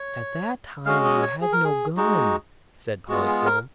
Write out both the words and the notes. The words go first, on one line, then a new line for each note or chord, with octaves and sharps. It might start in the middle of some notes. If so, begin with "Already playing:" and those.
"At that time you had no gun," said Polychrome.
Already playing: C#5
G#3 C#4 F#4 F5
D#5
C#5
G#4
A#4
G#4
G#3 D#4 F#4
G#3 B3 F4 F#4
G#4
A#4